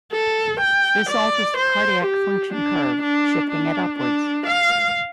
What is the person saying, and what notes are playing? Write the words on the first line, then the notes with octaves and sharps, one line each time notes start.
This alters the cardiac function curve, shifting it upwards.
A4
G5
D5
C5
G4
D4
D4
D4
D4
F5